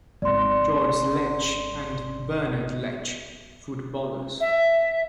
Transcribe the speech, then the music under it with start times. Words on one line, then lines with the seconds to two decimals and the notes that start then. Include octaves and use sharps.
Georges Lech and Bernard Lech, footballers.
0.22 G#1 D5 C6
4.40 E5